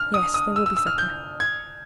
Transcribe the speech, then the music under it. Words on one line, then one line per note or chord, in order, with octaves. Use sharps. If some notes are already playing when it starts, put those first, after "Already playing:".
"Yes, there will be supper."
Already playing: F6
D#6
D#6
E6
E6
E6
F6
G6
G#6